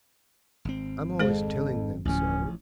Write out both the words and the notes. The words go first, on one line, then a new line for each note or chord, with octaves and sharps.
I'm always telling them so.
G#1 C4
F2 G#3 G#4 C5
D1 A1 F3 C#4